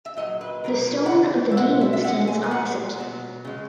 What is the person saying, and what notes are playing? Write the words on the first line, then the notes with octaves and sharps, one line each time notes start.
The Stone of the Demon stands opposite.
E5
A#2 F#3 D#5
B4
B2 F#3 A#4
A#4
B4
F#5
C#3 E3
E5
B2 G#3 F#5
E5
E5
B2 G#3 F#5
G#5
G#5
A#2 G#3 F#5
B2 F#3
C#3 G#3